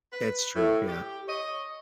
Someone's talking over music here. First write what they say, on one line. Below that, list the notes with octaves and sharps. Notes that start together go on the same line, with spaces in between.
That's true, yeah.
B4
A2
G4
C#5 D#5